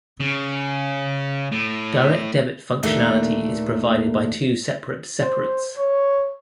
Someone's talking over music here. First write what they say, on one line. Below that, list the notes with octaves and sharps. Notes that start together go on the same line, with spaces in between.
Direct debit functionality is provided by two separate separates.
C#3
A2
D#2 A#2 A3 D4
C5
C#5